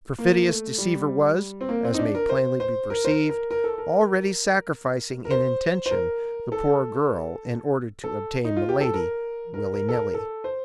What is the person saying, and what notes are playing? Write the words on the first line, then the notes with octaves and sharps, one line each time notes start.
The perfidious deceiver was, as may plainly be perceived, already sacrificing, in intention, the poor girl in order to obtain Milady, willy-nilly.
A#3
A3
G3
C4
A#3
C4
D#4
D4
A#4
C5
C5
A#4
C5
A#4
A#4
A#4
A4
A#4
A#4
C5
C5
A#4
A4
A4
D#4
F4
G4
A4
A#4
A#4
A#4
A4
A#4
A4
C5